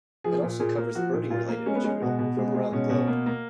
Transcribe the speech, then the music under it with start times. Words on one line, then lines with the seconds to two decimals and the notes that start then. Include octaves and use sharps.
It also covers birding-related material from around the globe.
0.24 F3 G#4
0.43 A#2
0.60 A#2 G#4
0.77 A#3
0.95 F3 F#4
1.13 A#2
1.30 A#2 F4
1.48 A#3
1.66 G#3 C#4
1.76 B3
1.84 G#3 C#4
2.02 B2 F#4
2.19 B2
2.37 G#3
2.55 G#3
2.72 B2 C#4
2.90 B2
3.07 A#3
3.26 A#3